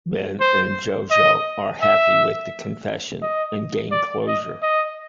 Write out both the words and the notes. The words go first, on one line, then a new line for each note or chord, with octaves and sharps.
Ben and Jojo are happy with the confession and gain closure.
C5
D#5
E5
D#5
D5
D#5
D#5